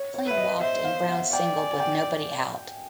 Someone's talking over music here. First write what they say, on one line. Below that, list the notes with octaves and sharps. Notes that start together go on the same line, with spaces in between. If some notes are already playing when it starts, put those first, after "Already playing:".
Kling walked and Brown singled with nobody out.
Already playing: C#5
C#5
B4 E5
D#5
C5 E5
F5
F#5
D5 G5
G#5
G#5
G5